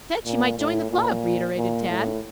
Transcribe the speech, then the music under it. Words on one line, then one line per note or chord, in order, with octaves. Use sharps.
"I said she might join the club," reiterated Tad.
A#2
A2
A#2
A#2
A2